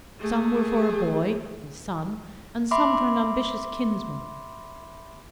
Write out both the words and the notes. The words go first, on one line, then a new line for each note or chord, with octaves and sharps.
Some were for a boy, his son, and some for an ambitious kinsman.
A3 G#4
E5 B5 C6 D6